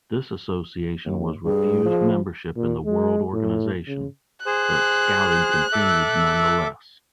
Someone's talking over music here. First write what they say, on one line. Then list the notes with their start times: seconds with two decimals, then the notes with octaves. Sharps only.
This association was refused membership in the World Organization, but Scouting continued nonetheless.
1.05 D#2
1.45 G2 G#4
1.85 F3
2.56 A#2
2.85 G#3
3.33 A2
3.87 C#3
4.46 G#4 C5 F#6
5.73 A4 E5 D6